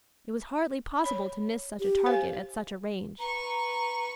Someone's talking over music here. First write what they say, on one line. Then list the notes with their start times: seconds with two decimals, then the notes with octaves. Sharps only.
It was hardly possible to miss such a target at such a range.
1.04 C#5 B5
1.80 G4
2.06 C5 F5 G#5
3.19 B4 A#5 C#6